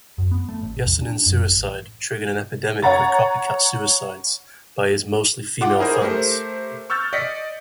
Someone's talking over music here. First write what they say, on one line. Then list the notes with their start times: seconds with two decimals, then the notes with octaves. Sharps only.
Yesenin's suicide triggered an epidemic of copycat suicides by his mostly female fans.
0.18 F#2
0.31 B3
0.49 A3
0.62 A1
0.86 E2
1.02 D4
1.26 F#2
1.40 A1
2.82 C#5 F#5 A#5 A6
5.61 F4 F#5 D6
5.78 D#4 E4 G#4 A#4 C5
6.02 A3 G4 A#4 C5
6.90 C#6 E6 F6 G6 A6
7.13 D5 D#5 A#6 B6 C#7